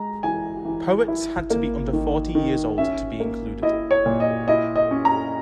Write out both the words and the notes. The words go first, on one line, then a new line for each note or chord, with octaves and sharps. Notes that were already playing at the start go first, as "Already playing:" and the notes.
Poets had to be under forty years old to be included.
Already playing: G#3 A#5
E3 G#5
E3
E4
A#3
D#3
D#3
C#4 E5
A#3
E4 D#5
C#5
A#2
D#5
E4 D#5
D#5
C#4
A#5